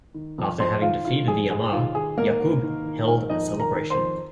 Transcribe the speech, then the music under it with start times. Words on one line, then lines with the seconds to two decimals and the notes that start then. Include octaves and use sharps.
After having defeated the Ammar, Ya'qub held a celebration.
0.14 D#3
0.38 F2
0.59 F2 C5 C6
0.82 D#3 F4 F5
1.05 D#3 F4
1.28 F2 G#4
1.50 G#2 G#4
1.72 D#3 F4
1.95 D#3 G#4
2.17 G#2 A#3 A#4
2.40 G#2
2.63 D#3
2.86 D#3
3.07 G#2
3.30 F2 D#4 D#5
3.53 D#3
3.60 A#4 A#5
3.75 D#3
3.90 C5 C6
3.97 F2